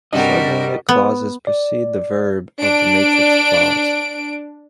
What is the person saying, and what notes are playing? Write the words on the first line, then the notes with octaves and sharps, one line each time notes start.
Subordinate clauses precede the verb of the matrix clause.
G2 C3 G3 F#4 A#4 D#5
B3
D5
D4 D7